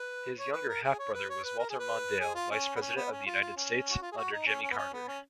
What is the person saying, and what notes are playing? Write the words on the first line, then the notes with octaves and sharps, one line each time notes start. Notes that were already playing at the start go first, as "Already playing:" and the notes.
His younger half-brother was Walter Mondale, Vice-President of the United States under Jimmy Carter.
Already playing: B4
C#5
B4
A#4
G#4
C#5
B4
C#5
B4
A#4
G#4
B4
G#4
F4
C#4
B3
C#4
B3
C#4
F4
F4
C#4
F#4
F4
G#4
F#4
D#4
C#4
C#4
B3
C#4
B3
C#4